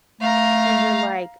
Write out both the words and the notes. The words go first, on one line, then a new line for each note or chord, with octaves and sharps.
and you're, like,
A3 F5 A#5